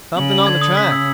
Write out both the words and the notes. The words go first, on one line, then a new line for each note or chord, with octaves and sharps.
Something on the track.
C#3 F#7
F#7
D3 G#6
D#6
C#3 B6
E6